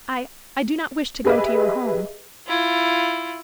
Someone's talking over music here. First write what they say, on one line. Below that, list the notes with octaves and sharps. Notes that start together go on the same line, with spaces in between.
"I--I do not wish to go to your home."
G4 G#4 B4 D#5 E5
E4 F4